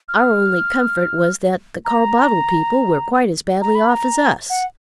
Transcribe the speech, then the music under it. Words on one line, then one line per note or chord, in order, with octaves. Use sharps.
Our only comfort was that the Carbottle people were quite as badly off as us.
F6
A#5
A#5
B5
A#5
F#5